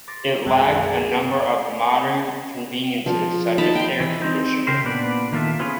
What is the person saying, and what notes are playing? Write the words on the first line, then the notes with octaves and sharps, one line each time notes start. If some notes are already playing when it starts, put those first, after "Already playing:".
It lacked a number of modern conveniences, such as air conditioning.
C6 D6 A6 A#6
B1 F#2 G#3 E6 F#6 G#6
G#4 D5 A5 D6 D#6
F3
D#4 A5 B5
G5 C6
E3
C4 D#4
C#3 G4 A#4 C5
A#2 B3 D4 B4 D5
D#3 A#3 F4 A4 E5
B3 C#4 F4 G#4 A#4 B4